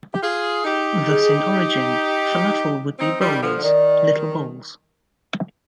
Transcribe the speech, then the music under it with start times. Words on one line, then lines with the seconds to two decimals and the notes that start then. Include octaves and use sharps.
Thus in origin, falafel would be rollers, little balls.
0.13 G4
0.22 F4 G#4
0.64 D#4 G4
1.07 G#4
2.99 C4 D#4
3.20 D#3 G3
3.41 D3 F3
3.56 D3
3.62 D#3 D5